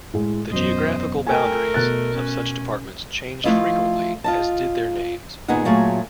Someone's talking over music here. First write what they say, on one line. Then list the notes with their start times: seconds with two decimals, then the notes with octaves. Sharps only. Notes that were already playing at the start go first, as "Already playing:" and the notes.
The geographical boundaries of such departments changed frequently, as did their names.
0.13 A2 G#3
0.50 E1 F#2 C5 D#5
1.27 A3 A#4 G5 G#5
1.74 B2 F#6 A6
2.15 C#4
3.44 F3 A3 E4 F4 B4 D#5
4.24 F4 D#5 A5
5.48 D#2 A#2 B3 D#4 G#4 F#5
5.65 A#2 F#3 A3 F4 G#4